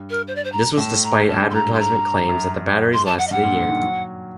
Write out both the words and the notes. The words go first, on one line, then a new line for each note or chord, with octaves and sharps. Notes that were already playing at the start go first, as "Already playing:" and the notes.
This was despite advertisement claims that the batteries lasted a year.
Already playing: G2
A#4
C5
D5
C5
A#5
A2 A5
A#5
G2 A5
C6
A#5
C6
A#5
F#2
C6
A5
F#5
D#5
G2 F#5
A#2
D3
D#3
F#3